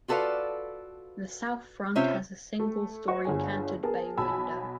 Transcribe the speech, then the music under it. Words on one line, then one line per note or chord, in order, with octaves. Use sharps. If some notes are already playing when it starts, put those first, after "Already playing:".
The south front has a single-storey canted bay window.
F4 F#4 A4 B4 D5 F5
C3 C#4 F4 C5 C#5 E5
A3
F#4 C5 D#5 C#6
G1 D3 G#4 C#5 G#5
B3 G#4 A#4 A5
B1 G#5 A5 B5 E6